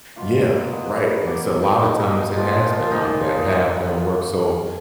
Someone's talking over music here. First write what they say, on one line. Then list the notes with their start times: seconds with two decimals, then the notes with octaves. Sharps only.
Yeah. Right, and it's a lot of times it has been like that, half-done work, so
0.16 B2 A#3 F4
0.71 B2 A#3 D#5
0.85 B4
0.99 A#4
1.26 B2 A#3 D5
1.63 D#4
1.81 B2 A#3 D#4
2.36 A#2 F3 A#3 F4
2.73 F4
2.91 A#2 F3 A#3 D#4